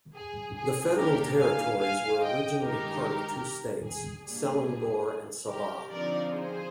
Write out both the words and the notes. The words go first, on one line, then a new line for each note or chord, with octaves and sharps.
The federal territories were originally part of two states - Selangor and Sabah.
G#4
G#4
D#3 G3 A#3 D4 G4 A#4
F5 G#5
F5 G#5
D#5 G5
G2 D#3 G#3 D#4 G4 A#4
G#4
A#2 G3 A#3 D4 G#4
G4 A#4
D3 F3 C4 D#4 A#4 D5
G#4 C5